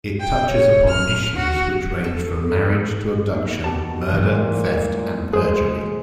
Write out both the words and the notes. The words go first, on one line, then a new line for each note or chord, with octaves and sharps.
It touches upon issues which range from marriage to abduction, murder, theft, and perjury.
G5
C#5
F6
F#4
A4
B2 A#3 D#4
G4 A5
A#2 E3 G3 A3
G#3 G#4 C5